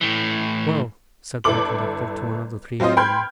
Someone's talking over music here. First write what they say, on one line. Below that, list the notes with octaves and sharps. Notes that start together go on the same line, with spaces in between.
'Well,' said my conductor to one of the three young women.
A2 E3
G1 E4 A4 D6 F#7
F#3 C4 F4 C5 D#5
G5 B5 C6 F6 G6 G#6